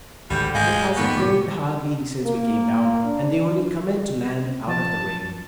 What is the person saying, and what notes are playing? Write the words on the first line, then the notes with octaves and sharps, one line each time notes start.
"It hasn't rained hardly since we came down, and they only come in to land out of the rain."
G#1 D2 G3 G5 G6 D#7
G#2 G#3 F5
F2 A#2 D#3 B3 C#6
A2 C3 D6
A#3
D4
F3 A5